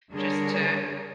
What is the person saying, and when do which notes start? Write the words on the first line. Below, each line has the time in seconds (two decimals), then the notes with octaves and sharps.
just to
0.11 D3 G3 D4 G#4 A#4 C#5